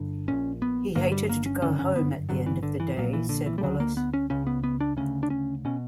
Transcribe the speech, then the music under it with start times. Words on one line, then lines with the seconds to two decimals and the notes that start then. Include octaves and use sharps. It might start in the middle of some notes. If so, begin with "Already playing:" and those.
He hated to go home at the end of the day, said Wallis.
Already playing: G1 G2 D3
0.28 A#1 A#2 C#4
0.62 B3
0.95 G1 G2 D3 A#3
1.12 G3
1.29 A#3
1.46 C#4
1.62 G1 F#2 D3 C#4
1.79 C#4
1.96 B3
2.29 G1 G2 D3 F#3
2.46 E3
2.63 D3
2.80 E3
2.96 A#1 A#2 F#3
3.13 E3
3.29 D3
3.46 E3
3.58 G3
3.63 D2 D3 F#3
3.80 A#3
3.97 B3
4.14 C#4
4.30 C#2 C#3 C#4
4.47 B3
4.64 B3
4.81 D4
4.97 D2 C#3 C#4
5.23 D4
5.30 C#4
5.65 B2 C#4